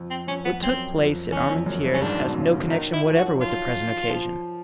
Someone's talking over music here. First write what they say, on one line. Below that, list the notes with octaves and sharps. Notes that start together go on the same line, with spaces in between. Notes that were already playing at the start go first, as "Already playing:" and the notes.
What took place at Armentieres has no connection whatever with the present occasion.
Already playing: F2
C4
F2 C#4
B3
F#2 C4
F2
E2 C#4
F2
F#2
G2
C#4
G#2 D4
B2
C#3
D3
D#3 D#4
E4
F3
F3 F#4
F#3
F4
F3